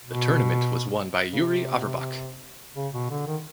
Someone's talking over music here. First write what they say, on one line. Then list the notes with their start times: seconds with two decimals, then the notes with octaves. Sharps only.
The tournament was won by Yuri Averbakh.
0.05 B2
1.33 C#3
1.40 C3
2.76 C#3
2.94 B2
3.10 D3
3.27 D#3